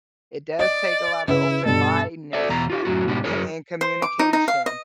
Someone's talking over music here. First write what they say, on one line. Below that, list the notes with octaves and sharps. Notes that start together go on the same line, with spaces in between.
it does take a lotta open-mindedness, like, a and communication,
D5 D#5
C#3 E4 B4
G2 B2 A4
A4 D5 E5
E2 B2 A#5
F4 G4
F#2 A2 F3 F#3 F#4
G#2 B2 B3 D4 G4
F#2 C3 F#3 G#4 A#4 C#5
C5
D6
D#4
D#4
F5
D#5